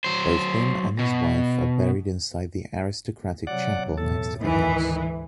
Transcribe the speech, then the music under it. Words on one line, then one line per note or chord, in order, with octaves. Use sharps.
Both him and his wife are buried inside the aristocratic chapel next to the house.
F#3 C5
B2
C3 F#3 D5 F#5
B1 E2 A2 A4
D2 G#2 D#3 E3